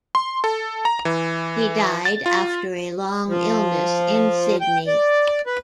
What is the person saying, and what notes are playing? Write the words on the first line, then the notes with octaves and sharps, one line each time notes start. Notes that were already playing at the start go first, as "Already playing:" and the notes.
He died after a long illness in Sydney.
C6
A4
A#5
E3
A6
F4
F3
G5
D5
B4